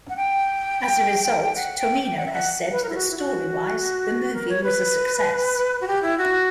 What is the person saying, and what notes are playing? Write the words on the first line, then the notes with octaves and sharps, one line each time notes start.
As a result, Tomino has said that story-wise, the movie was a success.
F#5
G5
F#5
G5
G5
F#5
E5
F#5
B4
A#4
E4
F#4
E4
F#4
A#4
C#5
B4
F#4
G4
E4
F#4